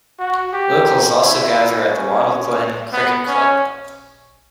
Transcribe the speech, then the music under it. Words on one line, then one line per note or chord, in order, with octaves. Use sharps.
Locals also gather at the Wattle Glen Cricket Club.
F#4
G4
E4
C#4
B3
C#4